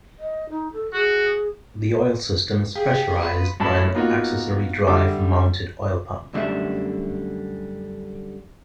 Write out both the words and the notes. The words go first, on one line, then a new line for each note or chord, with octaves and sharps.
The oil system is pressurized by an accessory-drive mounted oil pump.
D#5
D#4
A4
F#4 G#4
G4 G#4 F5
B3 F4 B4
F#2 A2 E4 A5 B5
A#3 B3 D#4 F4 F#4
D3 G3 E5 D6
F#2 A#2 D3 G3 A3 E5